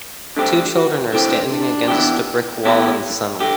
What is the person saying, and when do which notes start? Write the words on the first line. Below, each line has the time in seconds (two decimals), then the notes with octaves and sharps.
Two children are standing against a brick wall in the sunlight.
0.36 D3 A3 C4 D4 G4
0.74 F#4
1.12 D3 A3 C4 E4 G4
1.50 D4
1.88 E3 B3 E4 G4
2.65 E3 B3 E4 G4
3.40 D3 G4